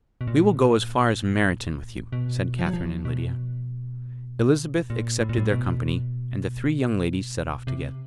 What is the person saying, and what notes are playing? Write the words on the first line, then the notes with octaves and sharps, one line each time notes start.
"We will go as far as Meryton with you," said Catherine and Lydia. Elizabeth accepted their company, and the three young ladies set off together.
B2
A#2
B2
F3
F#3
F3
B2
A#2
A2
A#2
A2
B2
C3